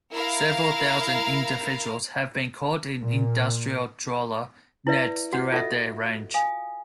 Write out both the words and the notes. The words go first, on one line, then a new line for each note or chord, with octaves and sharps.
Several thousand individuals have been caught in industrial trawler nets throughout their range.
E4 A#4 F5 A#5
A#2
E4 B4 D5 E5
F#4 F#5
F4 A4 D#5 E5
F5 G#5 D#6